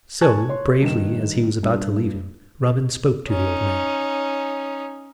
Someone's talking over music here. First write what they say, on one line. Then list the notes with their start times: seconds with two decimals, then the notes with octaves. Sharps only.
So bravely, as he was about to leave him, Robin spoke to the old man.
0.21 G#5 A5 C#6 F#6 G#6
0.49 C#5 C6
0.82 G2 D#3 E7
1.63 G2
3.28 C#4 D#4